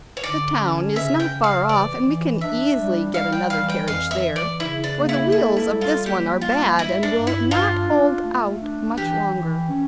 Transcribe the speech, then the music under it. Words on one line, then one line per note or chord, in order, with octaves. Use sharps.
The town is not far off and we can easily get another carriage there, for the wheels of this one are bad and will not hold out much longer.'
C#5
D3 D5
C#4
C#3 E5
G5
C#3
F5
E3 D5
E3
D4 E5
G3
G3 F5
G5
E3 F5
G5
F2 F5
E5
E3
D5
C#3 E4
D4
A#3
E4
E4 A4
E4
G3
F4
A#3 G4
G3 F4
G2 E4
D4
G2
E4
D4 F4
D4
A3
D4
E3 G4
E3
C#4